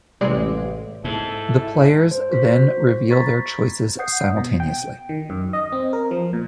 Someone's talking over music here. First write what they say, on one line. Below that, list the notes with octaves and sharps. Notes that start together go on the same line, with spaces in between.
The players then reveal their choices simultaneously.
A1 C3 G3 G#3 D5
G#2 E4 A4
C5
F#4 C5 B6
A#5 B5 C#6 G#6 A6 B6
F#5 D#6 G6 C7
B2
G5
D#3
F#2
D#5
C4
A#4
F3
A#2